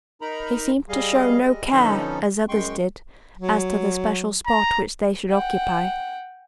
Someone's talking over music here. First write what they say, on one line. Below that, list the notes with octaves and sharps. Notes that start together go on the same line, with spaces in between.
He seemed to show no care, as others did, as to the special spot which they should occupy.
D#4 A#4 A#5 B5
G3 G#4 D#5 F5
G3 G#3 D#5
D3 F3 B3 C#4 D#4 A4
F#2 G#3 G5 C6 C#6
F#3
A#5
F#5 G5